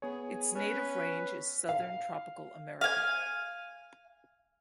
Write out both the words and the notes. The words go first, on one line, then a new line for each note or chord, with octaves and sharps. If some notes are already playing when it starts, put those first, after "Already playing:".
Its native range is southern Tropical America.
B3 G#4 C#5
C#4 B4
F5
F5 G#5